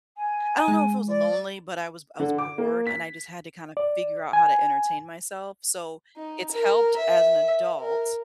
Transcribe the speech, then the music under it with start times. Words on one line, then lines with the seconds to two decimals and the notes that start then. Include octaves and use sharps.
I don't know if it was lonely, but I was I was bored, and I just had to kinda figure out how to entertain myself, so, it's helped as an adult,
0.16 G#5
0.68 G#3
1.08 D5
2.20 D3
2.38 D6
2.58 A#3
2.87 B6
3.77 D5
4.33 G#5
6.17 D#4
6.52 A#4
6.97 E5
7.80 A#4